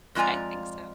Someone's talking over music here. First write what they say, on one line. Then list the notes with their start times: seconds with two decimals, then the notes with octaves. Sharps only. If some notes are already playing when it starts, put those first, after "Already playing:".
I think so.
0.15 F2 G#3 F4 D5 G#5 A#5